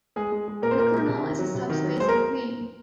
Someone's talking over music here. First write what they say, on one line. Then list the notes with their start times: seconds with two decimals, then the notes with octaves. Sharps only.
The kernel is a subspace of "V".
0.16 G#3 G#4
0.32 G#3
0.48 G#3
0.62 A#2 A#4
0.71 C5
0.78 A#2 A#4
0.93 G#3
1.08 C3
1.24 D#3
1.39 F#3
1.55 C3
1.70 D#3
1.84 F#3
2.00 G#3 C5
2.09 A#4